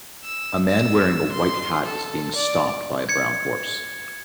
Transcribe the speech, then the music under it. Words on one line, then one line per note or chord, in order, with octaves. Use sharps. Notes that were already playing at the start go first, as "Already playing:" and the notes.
A man wearing a white hat is being stomped by a brown horse.
E6
E6
C6
A4
D5
G#6 C#7